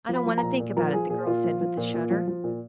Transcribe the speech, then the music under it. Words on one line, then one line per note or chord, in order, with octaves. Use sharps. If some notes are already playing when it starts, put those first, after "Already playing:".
"I don't want to think about it," the girl said, with a shudder.
F3
B5
F3
A#2 A#5
A#2
F3 A#4
F3 G#4
A#2 G#4
A#2 F4
F3
F3
A#2
A#2
F3
F3
A#2